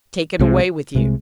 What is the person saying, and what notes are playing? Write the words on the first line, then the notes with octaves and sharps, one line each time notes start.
"Take it away with you."
C2 C3 G#3
C2 C3 G#3